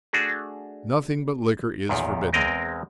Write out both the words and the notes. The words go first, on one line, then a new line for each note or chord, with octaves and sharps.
Nothing but liquor is forbidden.
A3 D4 F#4 G#4
B1 E2 A#2 D#3
E2 G#3 C4 A#4 D#5 G5